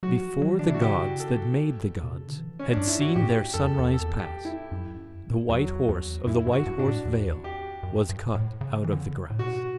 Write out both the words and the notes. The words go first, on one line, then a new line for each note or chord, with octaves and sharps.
Before the gods that made the gods Had seen their sunrise pass, The White Horse of the White Horse Vale Was cut out of the grass.
F#3 F#4
F#3
E3
D3 D4
E3 E4
F#4
C#3 G4
A4
B2
C#3
D3
E3
C#4
G2 D4
E4
F#4
A2 G4
F#2 A4
E2
E2
A4
G4
E4
F#2
E2 F#3
E2
F#2 E4
G2
F#4
G2
D4
A2
E2
G4
F#2
G2
A2
C#3
E3
D3
C#3
A2
B2 F#4